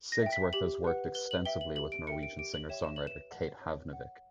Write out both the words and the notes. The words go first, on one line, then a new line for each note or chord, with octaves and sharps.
Sigsworth has worked extensively with Norwegian singer-songwriter Kate Havnevik.
A#6
E5 G5
B6
G4 F#7
B4 F#5
B4 G7
F#7
E5 G5 G7
F#7
G4 F#7
D7
A#4 E5 G5 C#7
D7
G4 D7
F#7
C#5 E5 G5 E7
E7
B4 F#7
E7
F#5
C#5
F#5